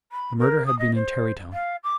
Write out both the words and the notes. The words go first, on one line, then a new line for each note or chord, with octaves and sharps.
The murder had been in Tarrytown.
B5
A#4
D#6
D#5
C5
F5
D6